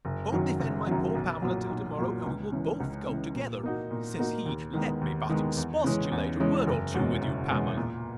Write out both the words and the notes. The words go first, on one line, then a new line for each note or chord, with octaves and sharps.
God defend my poor Pamela till to-morrow, and we will both go together.--Says he, let me but expostulate a word or two with you, Pamela.
F#1
F#2 D#3 F#3
F#1
F#2 D#3 F#3
B1
A#2 F#3
B1
A#2 F#3
C#2
C#3 E3
C#2
C#3 E3
A#2
A#3 D#4 F#4
A#2
A#3 D#4 F#4
D#2
D#3 G#3 B3
D#2
D#3 G#3 B3
E2
C#3 E3 G#3 C#4
E2
C#3 E3 G#3 C#4
F#1
E2 B2 G#3 C#4
F#1
E2 B2 G#3 C#4
A#2